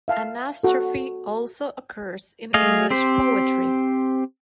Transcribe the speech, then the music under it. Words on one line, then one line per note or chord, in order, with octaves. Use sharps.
Anastrophe also occurs in English poetry.
E5 F5 A5
F#4 A4
A3 G#4 D#5 F5
C4 G4 C5